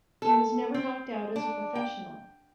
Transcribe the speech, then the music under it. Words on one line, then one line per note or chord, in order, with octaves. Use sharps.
He was never knocked out as a professional.
A4
C4
D4
G5